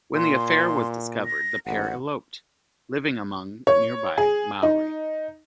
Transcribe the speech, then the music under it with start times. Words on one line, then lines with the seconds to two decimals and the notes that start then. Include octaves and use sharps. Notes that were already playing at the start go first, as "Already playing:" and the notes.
When the affair was discovered the pair eloped, living among nearby Maori.
0.15 A#2 C6
1.25 A#6
1.66 A1 F#5
3.67 C#5
4.18 G#4
4.63 D#4